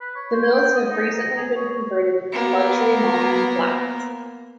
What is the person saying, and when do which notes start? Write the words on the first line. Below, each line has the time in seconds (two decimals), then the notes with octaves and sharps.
The mills have recently been converted into luxury modern flats.
0.01 B4
0.15 C#5
0.33 C5
0.51 G5
0.76 D#6
0.90 D#4
1.14 A#5
1.37 G#4
1.56 C#5
2.32 A#3 B3